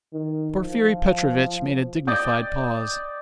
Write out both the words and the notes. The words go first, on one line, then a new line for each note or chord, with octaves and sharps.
Porfiry Petrovitch made a dignified pause.
D#3
F3
D5 D#5 G5